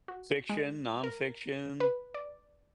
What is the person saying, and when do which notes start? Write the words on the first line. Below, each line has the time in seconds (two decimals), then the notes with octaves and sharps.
Fiction, nonfiction?
0.08 F#4
0.49 G#3
1.04 A#4
1.80 B4
2.14 D5